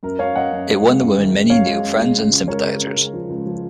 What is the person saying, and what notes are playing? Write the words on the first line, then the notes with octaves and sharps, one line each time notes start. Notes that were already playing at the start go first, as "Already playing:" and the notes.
It won the women many new friends and sympathisers.
F#2 A#4
F#2 C#5 F5
F#2 D#5 F#5
F#2
F#2
G#3
F#2
D#3
G#3
F#2 C#5 F5
G#3
F#2
G#3
C#3
C#2
C#2 A#4 C#5
C#3
C#3
G#3
F3
C#2
F3